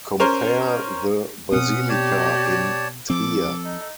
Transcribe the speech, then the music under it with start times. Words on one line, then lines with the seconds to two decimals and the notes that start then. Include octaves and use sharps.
Compare the Basilica in Trier.
0.20 C#4 A#4 C5
1.52 B2 C4 C#4 F#5 D#6
1.89 G4 C#5 D5 A5
3.10 F3 C4 A4 D6
3.65 D#4